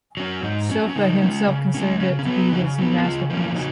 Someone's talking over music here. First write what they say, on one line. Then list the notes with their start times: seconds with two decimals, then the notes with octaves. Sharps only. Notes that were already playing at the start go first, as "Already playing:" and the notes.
Sofa himself considered it to be his masterpiece.
0.17 F#3 C#4
0.43 G#2 D#4
0.69 F#3 C#4
0.89 C#4
0.95 C#3 D#4
1.22 G#3 C#4
1.47 C#3
1.74 G#3 C#4
2.00 C#3 C#4
2.19 C#4
2.25 B3 D#4
2.30 F#3
2.52 C#3 D#4 F#4
2.78 F#3 B3
2.97 F#4
3.04 C#3 F4 G#4
3.30 F3 A#3 C#4
3.56 C#3 D#4 F#4